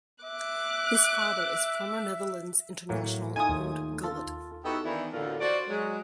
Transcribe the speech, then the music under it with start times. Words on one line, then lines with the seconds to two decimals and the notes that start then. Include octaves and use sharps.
His father is former Netherlands international Ruud Gullit.
0.24 E5 D6 F#6
2.89 A2 F#3 A#3
3.36 A3 D#4 F4 G#5 D#6
3.49 D#2
4.03 F4 A4
4.64 B3 D#4 E4 F#4 G4 A4
4.85 D#3 E3 A#3 B3 D4 E4
5.13 D2 A2 D3 A#3 D4 F4
5.40 F#4 C5 D5
5.68 F#3 G#3